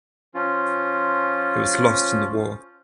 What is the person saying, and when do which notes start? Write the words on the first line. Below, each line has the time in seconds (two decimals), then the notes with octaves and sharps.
It was lost in the war.
0.34 F3 C#4 F4